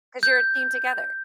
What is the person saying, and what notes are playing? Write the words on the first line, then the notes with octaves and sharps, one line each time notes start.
'cause you're a team together.
G6